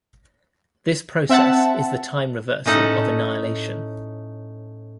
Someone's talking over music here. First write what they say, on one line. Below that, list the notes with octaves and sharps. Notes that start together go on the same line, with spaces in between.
This process is the time reversal of annihilation.
C4 E5 F#5 A5
A2 C#4 D#4 A4 F#5